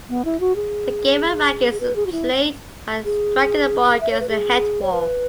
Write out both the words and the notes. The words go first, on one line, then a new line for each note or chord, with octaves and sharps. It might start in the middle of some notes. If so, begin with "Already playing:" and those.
The game of rackets is played by striking a ball against a headwall.
B3
E4
F#4
G#4
G#4
B4
G#4
F#4
E4
G#4
E5
C#5
B4
G#4
C#5
B4